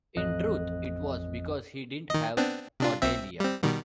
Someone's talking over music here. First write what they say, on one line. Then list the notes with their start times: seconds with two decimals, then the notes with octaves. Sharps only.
In truth - it was because he didn't have Cordelia.
0.16 A1 F2 D#5 F#6
2.10 D#3 D#5
2.37 B3 C4 D4
2.80 C3 D4 F4
3.02 B1 C4 E5
3.40 G3 C4
3.62 B2 D#3 G3